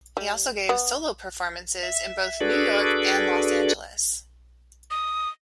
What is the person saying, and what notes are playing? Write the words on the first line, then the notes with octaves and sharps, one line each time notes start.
He also gave solo performances in both New York and Los Angeles.
G3
B3
E5
D4 F#4 G#4 A4 B4 D5
D#6